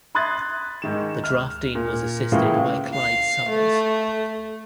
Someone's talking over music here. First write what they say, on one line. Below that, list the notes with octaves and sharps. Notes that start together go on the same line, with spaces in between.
The drafting was assisted by Clyde Summers.
B5 C6 D#6 F#6 G#6 A6
G#2 D#3 E7
F6
A#2
A2 C#3 E3 A#3 F4
F5
A3